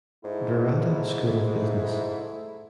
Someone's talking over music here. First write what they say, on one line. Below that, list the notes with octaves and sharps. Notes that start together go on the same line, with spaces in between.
Virata School of Business.
G#2 A3 E4